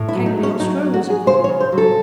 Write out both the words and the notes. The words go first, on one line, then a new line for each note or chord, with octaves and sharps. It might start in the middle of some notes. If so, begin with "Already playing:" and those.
Cagliostro was acquitted.
Already playing: A2
E4
F#3
D#4
A2
C#4
F#3 D#4
F#3
F#4
F#3
G#4
C#3 C5
C#5
C#3
C5
F#3
A4